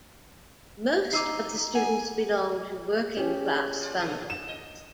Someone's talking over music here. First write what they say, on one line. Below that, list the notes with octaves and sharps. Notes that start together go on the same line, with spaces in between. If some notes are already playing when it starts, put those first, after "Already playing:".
Most of the students belong to working class families.
D#4 D6 E6 C7
A#4 F#5 G#5
C#4 G4 G#4
F4 D5
B2 F3 F#3
D4 E7
D#5